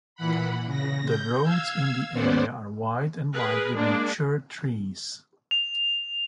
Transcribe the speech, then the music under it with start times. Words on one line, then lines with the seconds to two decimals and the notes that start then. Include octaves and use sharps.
The roads in the area are wide and lined with mature trees.
0.15 A#2 E3 F#5 B5
0.65 C#3 A#6
1.05 G6
1.43 F5 E6 G#6
2.12 D#2 B3 C#4 C5 D5 F#5
3.34 G#4 A#4 B4
3.75 G#3 A#3 D4
5.51 F7